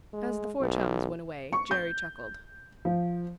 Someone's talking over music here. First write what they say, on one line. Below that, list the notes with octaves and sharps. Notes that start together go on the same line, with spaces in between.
As the four chums went away, Jerry chuckled.
G#3
B1
C#6
G6
F3